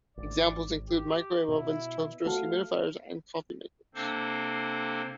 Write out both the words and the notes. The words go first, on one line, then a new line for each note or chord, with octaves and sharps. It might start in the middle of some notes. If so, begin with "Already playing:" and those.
Examples include microwave ovens, toasters, humidifiers, and coffee makers.
G#1 D5
G4
B2 E4
A3 F#4 A4 F5
C3 A#3 C4 D4 A4 C5